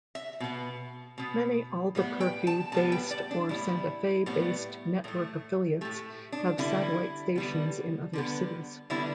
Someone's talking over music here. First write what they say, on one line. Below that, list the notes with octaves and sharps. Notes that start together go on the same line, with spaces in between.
Many Albuquerque-based or Santa Fe-based network affiliates have satellite stations in other cities.
E5
B2 B3
B2 B3
A2 G3 B3
G5
A5
A2 G3 B3 A5
G5
D5
D4
A2 G3 B3 E4
A2 G3 B3
A2 A3
A2 A3 G4
D4
D3 G3 B3 E4
D3 G3 B3
D3 G3 B3
D3 G3 B3 E4